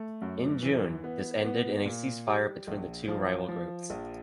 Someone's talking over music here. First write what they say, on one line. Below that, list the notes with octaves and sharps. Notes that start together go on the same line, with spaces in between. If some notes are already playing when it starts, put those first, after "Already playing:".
In June, this ended in a ceasefire between the two rival groups.
Already playing: A3
F#2
E3
B3
B3
A#2
G3
A#1
F3
F3
A#1